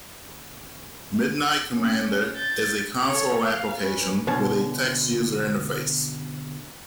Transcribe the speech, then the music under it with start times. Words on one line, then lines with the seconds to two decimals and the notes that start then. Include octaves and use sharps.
Midnight Commander is a console application with a text user interface.
1.76 C#4
2.35 G6 A6
3.08 A4 C#5
3.44 F5
3.81 C#4 B4
4.27 B2 D3 F#3 C#4 C#5 A5